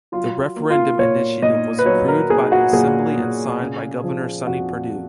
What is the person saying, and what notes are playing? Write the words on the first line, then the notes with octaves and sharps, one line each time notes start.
The referendum initiative was approved by the Assembly and signed by Governor Sonny Perdue.
F#3 F4
A#3
F4
A#2 C#5
A#2 D#5
B4
F#3 C#5
A#4
A#3 G#4
F#4
A#2 G#4
A#2
C#3
F3
F2 F#4